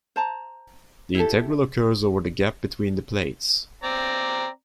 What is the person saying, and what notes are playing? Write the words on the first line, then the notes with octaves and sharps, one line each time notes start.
The integral occurs over the gap between the plates.
C5 A5 A#5
E4 G4 A4
C4 D5 A#5